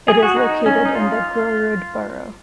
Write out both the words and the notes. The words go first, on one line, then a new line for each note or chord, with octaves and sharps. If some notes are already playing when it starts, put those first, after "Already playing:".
It is located in the Grorud borough.
G#4
F#4
D#4
C#4
D#4
F4